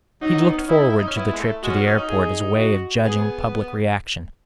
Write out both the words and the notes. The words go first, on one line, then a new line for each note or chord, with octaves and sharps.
He'd looked forward to the trip to the airport as a way of judging public reaction.
F#3 D#4
F#3
B3
C#4
D#4 E4
E4
D#4
C#4
B3 E4
G#3
A3
G#3 F#4
C#4
B3
C#4
D#4
G#4
F#4
B3 G#4